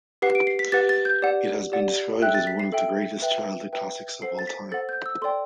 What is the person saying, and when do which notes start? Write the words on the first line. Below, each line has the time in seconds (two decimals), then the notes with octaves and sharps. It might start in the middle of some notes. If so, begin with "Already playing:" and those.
It has been described as one of the greatest childhood classics of all time.
0.22 G4 B4 F#5 C7
0.35 D7
0.47 C7
0.59 B6
0.72 G4 B4 F#5 A6
0.89 A6
1.05 G6
1.22 G4 D5 F#5
1.72 G4 D5 F#5
2.22 A4 E5 G5 F#6
2.35 A6
2.47 B6
2.59 C7
2.72 A4 E5 G5
3.22 B4 E5 G5
3.73 B4 E5 G5
4.22 A4 C5 F#5 C7
4.39 A6
4.47 B6
4.72 A4 C5 F#5 A6
4.89 G6
5.06 E6
5.22 A4 D5 G5 C6